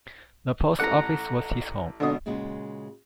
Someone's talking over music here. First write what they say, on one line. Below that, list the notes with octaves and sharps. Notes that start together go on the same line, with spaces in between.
The post office was his home.
A1 A4 F#5 A#5
G#1 B2 D3 D#6
A#2 C#3 G#3 F4 F#4